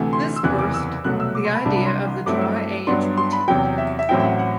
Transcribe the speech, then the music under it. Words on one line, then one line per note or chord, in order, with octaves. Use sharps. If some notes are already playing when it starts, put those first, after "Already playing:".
This birthed the idea of The Dry Age Boutique.
Already playing: D2 C3 E3 A3
C6
E6
F#1 E2 C3 E3 F#6
D6
E6
C2 B2 F#3 A3 F#6
E6
D6
C6
B5
C2 C3 G3 D4 A5
B5
C6
G2 F#3 A3 C4 E4 D6
E6
G2 F#3 B3 D4 C6
C6
B5
E2 C3 F#3 G5
E5
E5
A1 A2 F#3 C4 E4 G5
E5
F#5
F#5